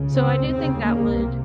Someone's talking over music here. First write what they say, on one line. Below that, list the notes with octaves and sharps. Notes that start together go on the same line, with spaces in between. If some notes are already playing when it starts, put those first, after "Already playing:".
So I do think that would
Already playing: C#2 C#3
C4
D#2 C#3 C4
A#3
C2 C3